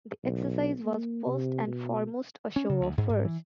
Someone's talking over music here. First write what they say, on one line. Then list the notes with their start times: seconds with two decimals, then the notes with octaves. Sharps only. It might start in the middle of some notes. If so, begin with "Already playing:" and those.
The exercise was first and foremost a show of force.
0.24 B1
0.84 A#3
1.26 C3
1.67 B2
2.56 C#4
2.69 C#3
2.81 D2
2.97 G#2
3.09 G#2
3.25 E3